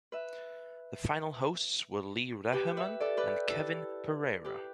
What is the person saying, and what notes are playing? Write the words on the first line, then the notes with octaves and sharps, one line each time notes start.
The final hosts were Lee Reherman and Kevin Pereira.
B4 E5
G4 B4
B4 E5
A4 D5
G4 B4
E4 A4
G4 B4